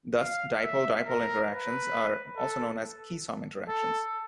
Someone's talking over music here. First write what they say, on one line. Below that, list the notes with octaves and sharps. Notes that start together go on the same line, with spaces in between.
Thus, dipole-dipole interactions are also known as Keesom interactions.
F5
E5
A#4
B4
A4
A4